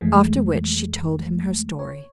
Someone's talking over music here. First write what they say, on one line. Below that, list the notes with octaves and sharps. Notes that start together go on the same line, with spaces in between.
After which she told him her story.
F2 E3 G#3 A3
C#5